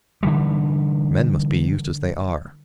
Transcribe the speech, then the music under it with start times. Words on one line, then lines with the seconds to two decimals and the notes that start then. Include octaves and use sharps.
Men must be used as they are.
0.23 D3 E3 G3